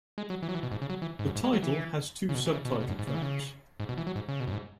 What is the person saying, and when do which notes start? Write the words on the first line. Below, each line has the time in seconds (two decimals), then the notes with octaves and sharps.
The title has two subtitle tracks.
0.18 G#3
0.30 F#3
0.42 E3
0.49 F#3
0.55 E3
0.63 B2
0.72 G#2
0.82 C#3
0.90 F#3
1.02 E3
1.19 G#2
1.26 F#2
1.36 G#2
1.44 G#3
1.53 F#3
1.63 E3
2.29 C#3
2.35 B2
2.46 E3
2.53 C#3
2.65 B2
2.71 C#3
2.80 B2
2.89 F#2
2.99 G#2
3.07 C#3
3.15 E3
3.22 C#3
3.80 G#2
3.89 B2
3.98 E3
4.07 F#3
4.16 G#2
4.28 C#3
4.40 B2
4.48 F#2
4.52 G#2